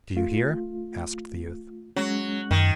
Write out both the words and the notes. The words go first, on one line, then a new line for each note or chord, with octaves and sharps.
'Do you hear?' asked the youth.
A3 F4
F#3 G#3 C#4
F#2 D#3